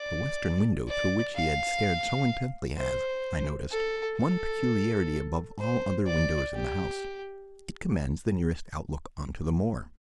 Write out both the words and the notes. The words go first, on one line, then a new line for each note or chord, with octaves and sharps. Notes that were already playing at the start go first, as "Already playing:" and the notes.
The western window through which he had stared so intently has, I noticed, one peculiarity above all other windows in the house--it commands the nearest outlook on to the moor.
Already playing: D5
D5
F5
C5
A4
A4
C5
D5
G4